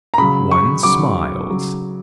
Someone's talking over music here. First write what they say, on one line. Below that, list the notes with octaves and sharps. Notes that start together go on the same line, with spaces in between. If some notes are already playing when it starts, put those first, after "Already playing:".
One smiles.
A#5
C#3 F#3 B5
C#6
C#3 F#3 D6
C#3 F#3